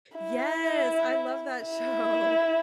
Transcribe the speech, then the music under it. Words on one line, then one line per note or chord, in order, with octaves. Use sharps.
Yes! I love that show.
E4
E4